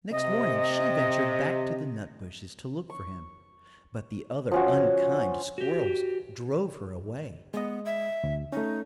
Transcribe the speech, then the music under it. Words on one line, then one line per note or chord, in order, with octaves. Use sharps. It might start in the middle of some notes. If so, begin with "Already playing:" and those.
Next morning she ventured back to the nut bushes to look for him; but the other unkind squirrels drove her away.
C3 D#5
C#6
F3 C#4 F#4
F#4 G4
G#3 B3 D#5
E5
D2
A3 C#4 D#4